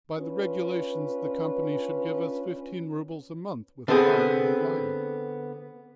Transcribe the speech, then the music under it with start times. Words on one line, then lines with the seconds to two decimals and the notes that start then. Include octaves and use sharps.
By the regulations the company should give us fifteen rubles a month with firing and lighting.
0.19 C#4 D4 F4 B4
3.88 D3 B3 C4 G#4